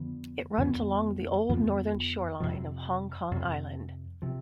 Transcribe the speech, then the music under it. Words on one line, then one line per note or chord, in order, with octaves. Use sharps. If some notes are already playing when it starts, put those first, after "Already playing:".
It runs along the old northern shoreline of Hong Kong Island.
Already playing: F2 D3 F3 B3
F2 D3 F3 B3
F2 D3 F3 B3
F2 C3 F3
F2 C3 F3
C3 F3